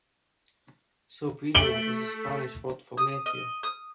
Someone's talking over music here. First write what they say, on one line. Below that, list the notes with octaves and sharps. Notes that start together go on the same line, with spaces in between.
Sobrino is the Spanish word for nephew.
A3 D7 F#7 G7
D#6
D#5
D#6